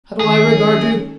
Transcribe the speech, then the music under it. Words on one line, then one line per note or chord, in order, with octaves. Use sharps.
How do I regard you?
D#3 C#4 G#4 A4